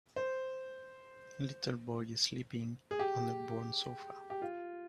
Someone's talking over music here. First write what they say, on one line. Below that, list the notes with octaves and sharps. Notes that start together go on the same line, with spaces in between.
Little boy is sleeping on a brown sofa.
C5
G#4
G4
G4
F4